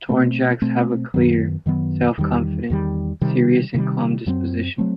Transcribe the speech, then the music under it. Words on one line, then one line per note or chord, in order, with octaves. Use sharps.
Tornjaks have a clear, self-confident, serious and calm disposition.
B2 A3 C4
B2 A3 C4
F#2 D#3 F#3 B3
F#2 D#3 F#3 B3
E2 D#3 G3
E2 D#3 G3
C3 D#3 G3
C3 D#3 G3
F#2 F#3 A3 C4
F#3 A3 C4